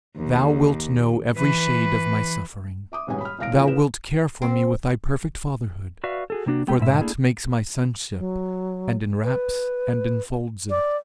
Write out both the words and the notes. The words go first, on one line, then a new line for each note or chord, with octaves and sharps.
Thou wilt know every shade of my suffering; thou wilt care for me with thy perfect fatherhood; for that makes my sonship, and inwraps and infolds it.
D#2
E3 B4
E5 D6 D#6
D#1 B1 G#2 B3 C#4 G#5
B5 F6
E1 E2 F5 F6 A#6 D7
E2 A#2 D3 F3 C#4
A2 B4 E7
C4
F#4 B4 D5 E5 F5
F#4 G#4 A4
C3 A#3 D4 F#4
G#3 A3 B3 G4 G5
G#2 B2 E5
A3 A#3 D4 E4 G#4
F#3
B4
D5